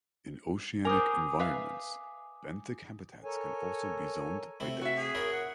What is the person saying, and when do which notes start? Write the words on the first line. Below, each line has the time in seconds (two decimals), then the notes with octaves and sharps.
In oceanic environments, benthic habitats can also be zoned by depth.
0.85 A#4 C5 G#5 D6 D#6
1.39 B4 E5 F5
3.24 A4 A#4 C#5 G#5
4.60 C3 A3 E4
4.81 F#4 E5
4.97 G#4
5.15 E4 A#4 C#5
5.32 F#5